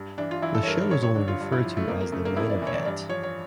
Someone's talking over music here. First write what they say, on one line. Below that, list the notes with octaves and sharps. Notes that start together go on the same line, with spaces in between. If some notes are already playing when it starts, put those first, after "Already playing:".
The show was only referred to as The Main Event.
Already playing: G2
E3 D4
F4
E3 E4
A4
C#5
G2 A#4
A#4
G2 C#5
C#5
D3 D4
F4
G2
E4
F3
A3
F2 A#3
A#3
C#3 A3
A#3
F2 E4
D5
E3 C#5
D5
G2 D5
F3 C#5
C#5